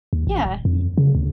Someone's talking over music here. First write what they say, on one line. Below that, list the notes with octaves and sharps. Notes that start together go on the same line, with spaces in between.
Yeah, y
D#2
A1
D#1
F2
C#3
D2